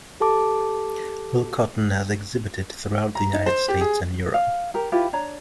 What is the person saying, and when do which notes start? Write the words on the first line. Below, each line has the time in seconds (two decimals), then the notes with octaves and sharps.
Will Cotton has exhibited throughout the United States and Europe.
0.20 G4 A4 A5 D6
3.15 A#5
3.33 D#4
3.46 C5
3.68 G4
3.81 G#4
4.34 F5
4.74 G4 A#4
4.92 E4 F4 G4 B4
5.13 D4 C#5 A#5